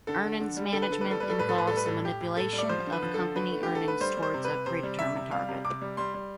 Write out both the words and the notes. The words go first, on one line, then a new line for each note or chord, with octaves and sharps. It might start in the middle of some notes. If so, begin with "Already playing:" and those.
Earnings management involves the manipulation of company earnings towards a pre-determined target.
D3 A4
D3
D3
G3
D3 A4
B4
D3 A4
B4
G3
A4
G3 B4
A4
A2 B4
A4
A2 B4
G3 A4
B4
A2 A4
A2 G4
A2
A2 A4
G3
D5
F3 C5
D3
B4
F3
D3 A4
D3 B4
A3
D3 G4
A4
A3 B4
G3 C5
G3
C5
C3
B4
C3
C3 C5
G3
C3 E5
C3
G3 F5
C3
C3 D6
G3
G3 C6
G3